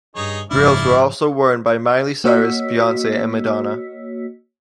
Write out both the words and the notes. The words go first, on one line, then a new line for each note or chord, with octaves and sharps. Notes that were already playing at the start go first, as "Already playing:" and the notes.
Grills were also worn by Miley Cyrus, Beyonce, and Madonna.
G2 D#4 G#4 C#5
F#1 G#2 C#3 F3 D4 E4 D5 F5
A#3 F#4 C#5 D#5 E6 B6